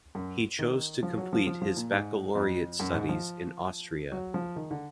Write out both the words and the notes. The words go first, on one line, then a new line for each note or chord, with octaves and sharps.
He chose to complete his baccalaureate studies in Austria.
F#2
D#3
F3
F#3
F3
F3
F3
A#2
G#2
F2
F#2
G#2
F3
F#3
F3
D#3
D3